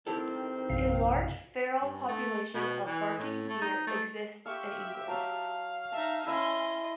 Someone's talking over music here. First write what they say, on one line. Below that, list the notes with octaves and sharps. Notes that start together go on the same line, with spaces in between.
A large feral population of barking deer exists in England.
D#3 C4 E4 G4 A4
A#1 F#2 C3 C#4 F5
G2
A3
B2
E3
A2
A3
D#4
A3
G4 E5 F5 C6 C#6
F#3 F5 A5
D#4 E5 A5
C#4 E4 D#5 E5 C6